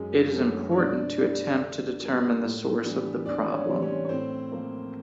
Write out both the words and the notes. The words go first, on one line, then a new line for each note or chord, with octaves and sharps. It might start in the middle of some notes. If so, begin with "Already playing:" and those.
It is important to attempt to determine the source of the problem.
Already playing: F#2 G#3 G#4
D3 F#3 A3 B3 A4
C#5
B2 D4 D5
G3 B3 D4 D5
D3
G3 A#3
A2
E3 G3 B3 D4
E2 D4 D5
C#4 C#5
C3 E3 G3 C4
C#4 C#5
C#5
A2 C4 C5
F3 A#3